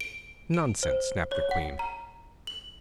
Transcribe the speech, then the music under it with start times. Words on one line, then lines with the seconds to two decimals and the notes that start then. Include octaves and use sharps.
'Nonsense!' snapped the queen.
0.01 D7
0.54 D7
0.83 C5
1.32 C#5
1.51 F#5
1.79 A#5
2.47 F#7